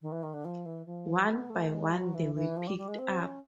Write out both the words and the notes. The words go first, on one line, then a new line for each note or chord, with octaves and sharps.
One by one they were picked up.
D#3
E3
D#3
D3
F3
E3
F3
B3
A3
G#3
F#3
E3
E3
F3
G3
G3
G#3
C4
C#4